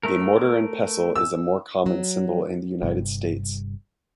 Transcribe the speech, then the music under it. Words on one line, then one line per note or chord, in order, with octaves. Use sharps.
A mortar and pestle is a more common symbol in the United States.
A3 A#4
E6
F#3
G1 G2 C3 G3